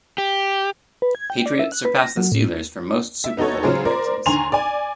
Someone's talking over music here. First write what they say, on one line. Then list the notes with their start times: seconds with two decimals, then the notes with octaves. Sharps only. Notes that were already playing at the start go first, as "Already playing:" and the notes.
Patriots surpass the Steelers for most Super Bowl appearances.
0.18 G4
1.02 B4
1.15 G#6
1.30 G5
1.46 D5
1.59 E5
1.72 F#6
1.85 B4
1.99 A#6
2.17 F#3
2.32 A2
3.24 E5
3.37 B3 D#4 F#4 A4 C#5
3.63 C#3 F#3 G#3 F4 G#4 C5
3.85 A#4 C5 D5
4.26 D#2 D3 G#5 A#5 C6 F7
4.52 D5 G#5